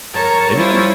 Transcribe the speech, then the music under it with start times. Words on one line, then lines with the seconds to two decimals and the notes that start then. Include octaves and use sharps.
maybe not.
0.12 A#4 C#5 A5 A#5
0.55 G3 C#4 E4 F4 C5 C#5